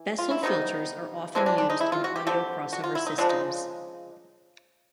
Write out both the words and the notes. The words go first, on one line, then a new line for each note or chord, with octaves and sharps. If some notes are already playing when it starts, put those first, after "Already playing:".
Bessel filters are often used in audio crossover systems.
Already playing: E3
F4
E4
C3 D#3 G3 B3 D#4
E3 G#3 C4 D4
D4
D4
D#4
E4
F4
F#4
G4
D3 G3 C4 G4
F#4
F4
E4
D#4
C#3 F3 G#3 D4
D#4